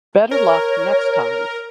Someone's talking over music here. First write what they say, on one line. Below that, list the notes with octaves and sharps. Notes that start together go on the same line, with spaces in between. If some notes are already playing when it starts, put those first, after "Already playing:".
Better luck next time.
A#4 C#5